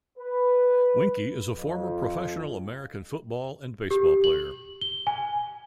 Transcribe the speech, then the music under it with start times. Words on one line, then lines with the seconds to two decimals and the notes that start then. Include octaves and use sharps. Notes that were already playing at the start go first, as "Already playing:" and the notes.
Weinke is a former professional American football and baseball player.
0.18 B4
1.57 F2
3.91 G4
4.24 F#7
4.81 G7
5.07 G#5